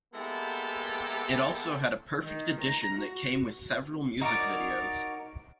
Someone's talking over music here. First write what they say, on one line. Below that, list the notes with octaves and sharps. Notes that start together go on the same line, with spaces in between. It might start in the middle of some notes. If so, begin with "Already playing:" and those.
It also had a "Perfect Edition" that came with several music videos.
G#3 A#3 B3 E4 G4 A4
D#3
A#5
F#4
D#4 F#4 A#4 C#5 D5